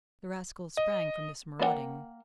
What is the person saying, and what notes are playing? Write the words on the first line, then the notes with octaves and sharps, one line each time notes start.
The rascal sprang from this marauding.
D#5
A#3 A4 D5 F#5 G5